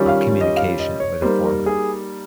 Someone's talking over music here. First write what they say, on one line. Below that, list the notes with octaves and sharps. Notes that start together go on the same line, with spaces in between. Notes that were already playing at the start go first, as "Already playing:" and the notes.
communication with a former?
Already playing: D#3 G3 C#4 F4
F5
D#5
F5
D#5
C#5
G3 A#3 D#4 C5
A#4
G#4